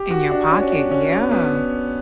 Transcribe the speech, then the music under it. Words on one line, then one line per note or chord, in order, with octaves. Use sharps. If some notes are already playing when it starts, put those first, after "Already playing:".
In your pocket yeah,
Already playing: G4
F#4
D4
C#4
C#4
D4
C#4
C#4
B3